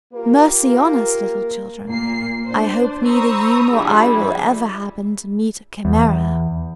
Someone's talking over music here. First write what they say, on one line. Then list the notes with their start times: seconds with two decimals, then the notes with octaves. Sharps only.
Mercy on us, little children, I hope neither you nor I will ever happen to meet a Chimaera!
0.14 A#3 F4 G4 A#4
1.88 A#2 A#3 C7
2.45 D4 C5
3.04 C5 A#5 B5 C#6 D#6 E6
3.73 F3 G3 G#3 D4 E4 G#4
5.85 E2